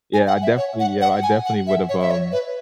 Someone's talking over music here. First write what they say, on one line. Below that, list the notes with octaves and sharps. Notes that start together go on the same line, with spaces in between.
yeah, I definitely yeah, I definitely would've, um
G#5
F#5
E5
C#5
F#5
F#5
G#5
F#5
E5
C#5
E5
C#5
B4